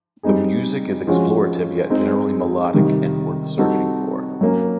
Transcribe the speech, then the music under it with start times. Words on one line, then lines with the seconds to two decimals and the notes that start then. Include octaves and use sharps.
The music is explorative yet generally melodic and worth searching for.
0.23 G3 C4 D#4 G#4
1.07 F3 G#3 C#4 F#4
1.90 G#3 C4 D#4 G#4
2.74 C3 D#3 G3
3.57 G3 C4 D#4 F#4 A4
4.41 F#3 A#3 C#4